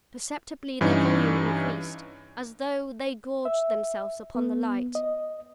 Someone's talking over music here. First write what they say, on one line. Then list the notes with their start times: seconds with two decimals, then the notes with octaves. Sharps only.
Perceptibly their volume increased--as though they gorged themselves upon the light.
0.81 G2 E3 C#4 D#4
3.45 E5
4.35 B3
4.95 D#5